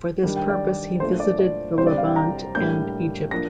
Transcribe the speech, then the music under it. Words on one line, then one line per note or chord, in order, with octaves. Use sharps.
For this purpose he visited the Levant and Egypt.
D#3 G3 D4
G5
D5
A#2 A3 D4 C5
D5
D5
C3 G3 D4 C5
D5
F5
G5
A#5
A2 G3 A#3 D4 G6
F3 A#3 D4 A#6